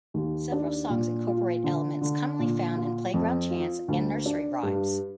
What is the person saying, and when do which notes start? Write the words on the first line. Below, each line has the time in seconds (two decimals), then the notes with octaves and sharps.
Several songs incorporate elements commonly found in playground chants and nursery rhymes.
0.14 D#2
0.52 D4
0.89 A#2
1.27 F4
1.64 D3
2.01 D3
2.39 A#2
2.77 F4
3.14 F2
3.51 F4
3.88 D2
4.26 D4
4.63 G2